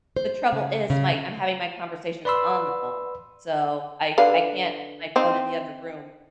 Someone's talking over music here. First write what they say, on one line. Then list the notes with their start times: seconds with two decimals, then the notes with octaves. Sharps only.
The trouble is, my I'm having my conversations on the phone, so I I can't put my phone in the other room.
0.16 C5
0.52 C#3
0.90 C#3
2.25 B4 D5 B5 C6 E6
4.18 D3 B4 F5
5.16 C4 D#4